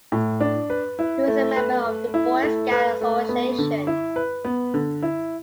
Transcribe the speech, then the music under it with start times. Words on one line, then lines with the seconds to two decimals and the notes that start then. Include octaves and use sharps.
He was a member of the Boy Scout Association.
0.12 A2
0.41 D4
0.70 B4
0.99 E4
1.28 A3
1.56 B4
1.86 A3
2.14 E4
2.43 A3
2.71 B4
3.01 A3
3.29 B3
3.58 D3
3.87 E4
4.16 B4
4.45 B3
4.74 D3
5.02 E4